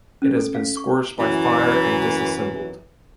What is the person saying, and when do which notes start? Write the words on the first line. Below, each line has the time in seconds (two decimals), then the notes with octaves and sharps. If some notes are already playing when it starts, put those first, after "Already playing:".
It has been scorched by fire and disassembled.
0.22 C#4
0.37 A4
0.55 F5
0.77 C#6
1.18 F#2 E3